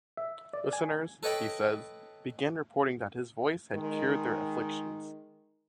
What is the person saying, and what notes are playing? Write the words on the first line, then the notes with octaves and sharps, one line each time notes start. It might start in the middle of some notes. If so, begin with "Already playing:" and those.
Listeners, he says, began reporting that his voice had cured their afflictions.
E5
D5
G#5
A4 B4 C#5 D#5 G5 B5
D#3 G#3